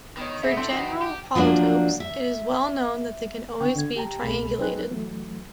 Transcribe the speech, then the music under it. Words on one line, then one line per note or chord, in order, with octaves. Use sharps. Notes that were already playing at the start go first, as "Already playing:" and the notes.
For general polytopes, it is well known that they can always be triangulated.
D#3 B3 C#5
B1 B3 G#4 C#5 E5
A3 C4 D4 E4
E3 C4 D#4 F#4
G4
F3 F#3 A#3 D4
E5
D3 B3 C4 G5 C#6
D3 G#6
G4 G5 A5 A#5
C2 B2 A3 C4 G#4 B5
F#3 C4 D#4 G#4 B4 F#6
E3 F#3 A3